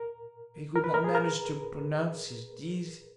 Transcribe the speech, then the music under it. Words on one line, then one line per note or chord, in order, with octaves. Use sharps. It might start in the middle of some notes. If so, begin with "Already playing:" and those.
He could not manage to pronounce his Ds.
Already playing: A#4
A#4
B4
A#4
G#4
A#4